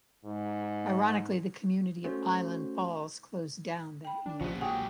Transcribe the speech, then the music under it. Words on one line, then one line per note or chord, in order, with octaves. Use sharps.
Ironically, the community of Island Falls closed down that year.
G#2
A3 C#4 F#4 C5
G5 B5
D4
A#1 C#3 F3 B3 C5
F#3 G4 G#4 F#5 G5